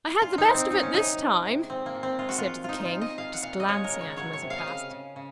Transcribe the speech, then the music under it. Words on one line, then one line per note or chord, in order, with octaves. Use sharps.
'I had the best of it this time?' he said to the King, just glancing at him as he passed.
A#2 F4
D#4
A#2
C4
F#3 D#4
C#4
C3 D#4
G#3
C3
A#2 C4
A#3
A#2
C4
G#3 F4
F#4
F4
A#2
A#2 D#4 F4
D#4
F4
A#2
D#5
A#2 F5
F#5
A#2 F5
D#5
G#3 C#5
A#4
C#3
C#5
F#3 C#5
C#5
C3
F5
D#5
C#3 F5
C#3
C#3